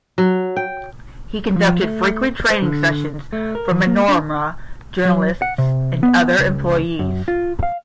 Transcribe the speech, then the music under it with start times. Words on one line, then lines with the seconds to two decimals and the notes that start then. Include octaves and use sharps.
He conducted frequent training sessions for "Manorama" journalists and other employees.
0.18 F#3
0.56 G5
1.56 F3
1.82 A3
2.50 C5
2.62 D3
3.33 A3
3.55 A#4
3.71 E3
3.87 A#3
4.08 D4
5.05 F#3
5.42 F#5
5.58 C3
6.03 B3
6.39 C#2
6.99 F#2
7.28 F4
7.63 F5